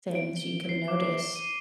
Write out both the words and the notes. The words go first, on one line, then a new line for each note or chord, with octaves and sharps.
things, you can notice
D7
G7
C7
D6
D#7